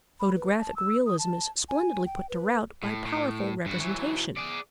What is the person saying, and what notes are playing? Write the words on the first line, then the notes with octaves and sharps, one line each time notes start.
Photographic realism is splendidly put to rout by powerful representation.
B5
B4
A5
E6
D#6
A5
G#5
G5
B4
A2
A2
G2 F#4
E3 F#3
G#4 D5